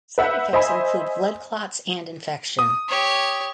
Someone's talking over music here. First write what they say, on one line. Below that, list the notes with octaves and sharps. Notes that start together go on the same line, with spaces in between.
Side effects include blood clots and infection.
B4 E5 F#5 G6
C5 D#5 E5 G#5 B5
D#6
G4 C#5